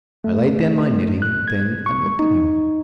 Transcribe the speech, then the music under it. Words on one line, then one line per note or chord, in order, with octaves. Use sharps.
I laid down my knitting then and looked at him.
A3
F#6
G#6
C#6
D#4